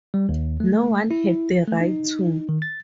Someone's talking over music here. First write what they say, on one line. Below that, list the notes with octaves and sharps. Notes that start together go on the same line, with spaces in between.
No one had the right to.
G3
D#2
A3
E4
A3
D#4
D#3
A6